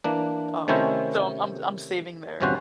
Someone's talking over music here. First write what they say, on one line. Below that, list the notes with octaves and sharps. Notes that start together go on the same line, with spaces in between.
Um, so I'm I'm saving there.
E3 A#3 D4
C3 D#3 A3 C#4 E4 C5
G1 E2 C3 C#4 F#4 C5